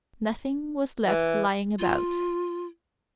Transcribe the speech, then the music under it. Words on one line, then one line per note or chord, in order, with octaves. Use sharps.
Nothing was left lying about.
E3
F4